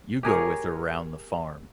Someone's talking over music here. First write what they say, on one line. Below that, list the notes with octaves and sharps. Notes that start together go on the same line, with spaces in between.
You go with her round the farm.
G4 G#4 A#4 C#5